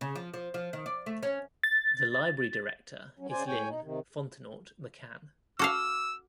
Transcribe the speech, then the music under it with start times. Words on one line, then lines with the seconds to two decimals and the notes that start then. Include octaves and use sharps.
The library director is Lynne Fontenaut McCann.
0.01 C#3
0.15 F3
0.34 F3
0.54 F3
0.73 D#3
0.86 D5
1.06 A3
1.23 C#4
1.64 A6
3.19 F#3 C#4
3.31 C#3 C5 D5 G#5
3.47 A2 C#5 G5 G#5
3.69 D#4
3.83 C3 D#3
5.59 F#4 A4 F5 D6 E6 F6